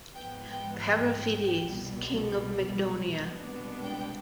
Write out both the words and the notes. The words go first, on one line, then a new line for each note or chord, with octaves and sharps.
Periphetes, king of Mygdonia.
G#2 F3 G#3 B3 G5
G5
G5
C2 B2 G3
C2 B2 G#3 B3 D4
G5